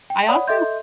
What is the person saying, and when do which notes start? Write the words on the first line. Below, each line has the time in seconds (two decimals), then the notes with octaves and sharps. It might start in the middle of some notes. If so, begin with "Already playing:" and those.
I also
0.10 G5
0.28 C#5 D5 F#5 B5 D#6
0.48 A4 D#5 E5 C6 G6